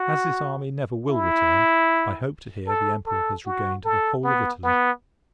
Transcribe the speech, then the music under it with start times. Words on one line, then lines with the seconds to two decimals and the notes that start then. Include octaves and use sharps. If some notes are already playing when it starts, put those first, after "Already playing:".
As this army never will return, I hope to hear the Emperor has regained the whole of Italy.
Already playing: F#4
1.09 E4
2.67 A4
3.06 A4
3.46 F#4
3.85 A4
4.24 B3
4.63 B3